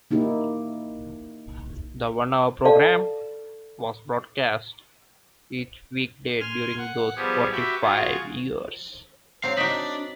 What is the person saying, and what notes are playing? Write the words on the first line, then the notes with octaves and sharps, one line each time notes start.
The one-hour program was broadcast each weekday during those forty-five years.
A#3 D#4 E4 G4
A4 D5 F5 A5
G#5 C6 F6
F#5
F3 G3 B3 G4 G#4
F#4 G4 B4 E5 G5
F4 F#4 G#4
F#3 C4 F5
D4 D#4 F#4 B6